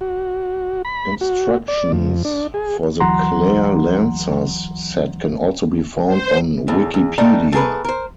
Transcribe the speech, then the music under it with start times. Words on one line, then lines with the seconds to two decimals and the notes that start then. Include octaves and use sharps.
Instructions for the Clare Lancers Set can also be found on Wikipedia.
0.01 F#4
0.85 B5
1.21 F#4
1.68 D5
1.92 F2
2.25 D4
2.54 G#4
3.00 D2 E3 F#3 F#5 A#5 C6
6.07 C5
6.68 E2 A2
6.94 E2
7.18 D#3 E3 G3 A3 D4 D#4
7.52 A3 B3 G#4 A#4 B4
7.84 A#4 C5